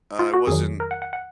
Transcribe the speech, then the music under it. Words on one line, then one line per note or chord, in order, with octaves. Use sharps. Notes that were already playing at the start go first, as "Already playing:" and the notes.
I wasn't
F4
F#4
F2 D#3 F#3 G#4
A#4
F#5
F#5
F#5